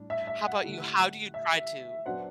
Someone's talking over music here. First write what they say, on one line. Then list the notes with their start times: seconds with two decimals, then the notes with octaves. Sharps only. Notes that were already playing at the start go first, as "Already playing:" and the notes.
How 'bout you? How do you try to,
Already playing: A2 G3 D4
0.10 E5
0.27 E5
0.46 F#5
0.63 D3 A3 E4 G4
1.34 E5
2.06 F#3 B3 D4 F#4 C5 F#5